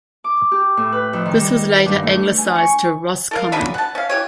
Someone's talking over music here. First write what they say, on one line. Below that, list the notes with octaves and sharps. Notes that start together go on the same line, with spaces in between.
This was later anglicised to Roscommon.
D6
G4
A2
B4
F2
D#3
G3
G2
A3
G#5
C#6
A4 A#4 F5
F#3 G#3 D4 B5
F#5 A5
C#4 F5
E3 G4 C#5